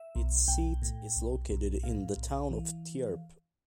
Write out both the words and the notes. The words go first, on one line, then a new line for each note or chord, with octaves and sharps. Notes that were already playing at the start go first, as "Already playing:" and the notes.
Its seat is located in the town of Tierp.
Already playing: E5
B1
B1 G5
A2
B1
B1
A2 F5
B1
E3